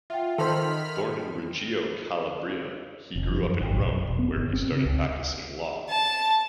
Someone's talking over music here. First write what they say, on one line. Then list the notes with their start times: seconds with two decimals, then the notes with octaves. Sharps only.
Born in Reggio Calabria, he grew up in Rome, where he started practicing law.
0.10 F4 E5 F#5 G5
0.38 D#3 A4 C5 B5 F6
3.16 F1
3.30 F3
3.42 F#2
3.61 G#1
3.76 B1
3.92 F#2
4.06 E1
4.19 B3
4.36 G1
4.53 C4
4.72 C#3
4.86 C#2
5.89 A5